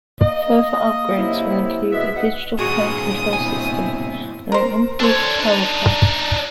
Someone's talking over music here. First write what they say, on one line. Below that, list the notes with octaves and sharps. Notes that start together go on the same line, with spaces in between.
Future upgrades will include a digital fire control system and improved power pack.
A#3 D#5
F#2 C3 E4
B2 G#3 E5
D#4 B4 F#5
G2 A#2 F#4 G#4 D#6
B2 C4 E4 G#5
A#4 C5
D4 A4 C5 C#5
D4 D#4